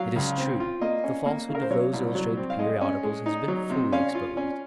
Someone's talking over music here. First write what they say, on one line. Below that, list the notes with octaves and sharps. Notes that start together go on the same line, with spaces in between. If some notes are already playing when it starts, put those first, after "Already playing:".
It is true that the falsehood of those illustrated periodicals has been fully exposed.
Already playing: F#3 F5
C#2
C4
F4
A#3 D#5
C#4
A#3
C#3
A#4
C5
F#3 C#5
C2
F#3
C4
F5
G#3 D#5
C#4
G#3
D#4
F#3
C3
C#4 F5
F4
C#4